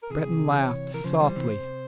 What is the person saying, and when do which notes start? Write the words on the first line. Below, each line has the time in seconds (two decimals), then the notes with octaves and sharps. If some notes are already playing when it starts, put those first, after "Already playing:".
Breton laughed softly.
0.03 A#4
0.10 C3 E3 G#4
0.58 C#5
0.94 E3 A#4
1.04 C#3 F3 C5
1.20 E3 G3
1.36 C3 E3
1.52 C3